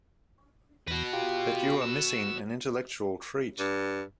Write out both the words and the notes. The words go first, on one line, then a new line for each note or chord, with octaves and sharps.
But you are missing an intellectual treat.
E2 F#4 B4 A#6
F4 G4
E6
G2